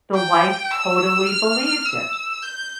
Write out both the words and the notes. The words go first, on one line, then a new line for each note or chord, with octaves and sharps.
The wife totally believed it.
G5
E6
F6
E6
G6